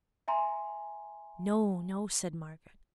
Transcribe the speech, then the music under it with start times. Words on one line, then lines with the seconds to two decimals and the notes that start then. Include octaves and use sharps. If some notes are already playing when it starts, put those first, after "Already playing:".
"No, no," said Margaret.
0.28 E5 G#5 A#5 C6